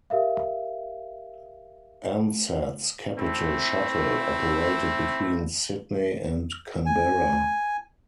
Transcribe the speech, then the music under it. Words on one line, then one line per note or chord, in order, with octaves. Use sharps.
Ansett's Capital Shuttle operated between Sydney and Canberra.
G4 A#4 E5 F5
A3 C4 E4
G#5